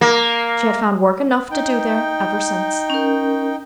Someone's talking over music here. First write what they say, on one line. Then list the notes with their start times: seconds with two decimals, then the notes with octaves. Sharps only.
She had found work enough to do there ever since.
0.01 A#3
1.51 D#4 G5
2.90 C#4 A#4